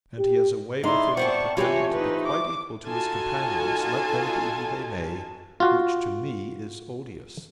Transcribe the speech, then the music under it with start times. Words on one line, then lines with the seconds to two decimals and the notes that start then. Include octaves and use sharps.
And he has a way with him of pretending to be quite equal to his companions, let them be who they may, which to me is odious.
0.19 G4
0.84 G#3 D#4 E4 D5 C6
1.17 B3 C4 D4 C5 A5 C#6
1.57 E3 A3 C4 F4 G4 C#5 G#5
1.92 D#4 B4
2.27 D6
2.86 D#4 F4 F#4 A4 G#5 A5
5.60 F4 F#4 F5